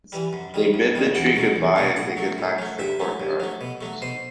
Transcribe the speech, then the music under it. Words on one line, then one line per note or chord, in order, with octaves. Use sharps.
They bid the tree goodbye and take it back to the courtyard.
E3 G3
F#2
D#3 G3
F#2
D#3 G3
E2 F#5
B2 F#3 A3
E2
B2 F#3 A3
A2 F#5
F#3 A3
A2
F#3 A3
G2 E5
F#3 A3
G2
F#3 A3
B2
F#3 A3
B2 C5